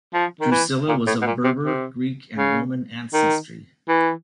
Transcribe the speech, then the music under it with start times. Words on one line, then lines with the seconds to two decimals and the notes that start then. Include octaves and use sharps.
Drusilla was of Berber, Greek and Roman ancestry.
0.14 F3
0.41 D#3
0.51 E3
0.88 A#2
1.07 A2
1.22 B2
1.26 A#2
1.44 C3
1.63 C3
2.38 C#3
3.14 D#3
3.88 E3